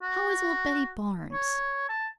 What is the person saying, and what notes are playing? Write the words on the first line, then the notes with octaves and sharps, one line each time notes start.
'How is old Betty Barnes?'
F#4
C#5
A5